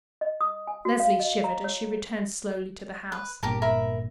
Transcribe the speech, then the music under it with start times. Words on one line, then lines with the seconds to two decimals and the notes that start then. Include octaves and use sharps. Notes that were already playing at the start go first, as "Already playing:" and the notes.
Leslie shivered as she returned slowly to the house.
0.21 D#5
0.41 D#6
0.67 G#5
0.85 F#4
1.00 F5
1.20 D#5
1.44 A#5
1.64 C#5
3.12 B4
3.43 G1 A#2 B3 G4 A#4 A5
3.62 A#4 E5 B5